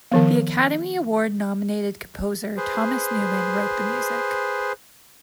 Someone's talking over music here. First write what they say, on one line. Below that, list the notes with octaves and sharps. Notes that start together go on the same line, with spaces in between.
The Academy Award-nominated composer Thomas Newman wrote the music.
D#3 F3 B3
G#4 B4 C5